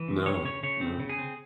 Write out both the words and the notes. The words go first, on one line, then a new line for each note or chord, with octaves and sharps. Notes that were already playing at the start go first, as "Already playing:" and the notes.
No. No.
Already playing: E3
C#3
C#3 C#5
C#3 C#5
C#3 C#5
C4
C#3
G#4
C4